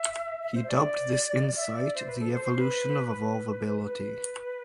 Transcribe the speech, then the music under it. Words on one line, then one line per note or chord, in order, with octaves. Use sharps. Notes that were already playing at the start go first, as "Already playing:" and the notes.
He dubbed this insight "the evolution of evolvability".
Already playing: E5
E5
C5
D5
E5
D5
C5
B4
A4
C5
C5
B4
B4
A4
B4